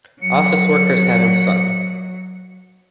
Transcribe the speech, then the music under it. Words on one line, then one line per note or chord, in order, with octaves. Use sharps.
Office workers having fun.
F#3 C#7